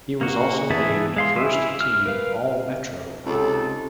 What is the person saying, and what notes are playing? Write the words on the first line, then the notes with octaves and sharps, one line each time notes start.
He was also named First Team All-Metro.
A#3 F#4
E3 B3 G#4 E5 A5
G#3 F5 C6
E4 E5 G#5
F6
A#4 B4 F5
C#2 C3 D#4 A4